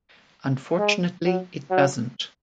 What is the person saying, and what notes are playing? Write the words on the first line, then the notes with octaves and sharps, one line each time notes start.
Unfortunately it doesn't.
G#3
F#3
F#3